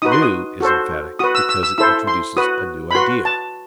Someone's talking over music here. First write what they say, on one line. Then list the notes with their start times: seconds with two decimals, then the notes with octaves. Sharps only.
"New" is emphatic because it introduces a new idea.
0.02 D#4 F#4 B4 D#6
0.12 C6
0.22 D#6
0.61 F#4 A4 C5
1.19 F#4 B4 D#6
1.35 E6
1.49 E6
1.63 E6
1.78 E4 A4 C5 E6
2.07 C6
2.37 F#4 B4 D#6
2.91 B5
2.95 F#4 B4 C6
3.25 A5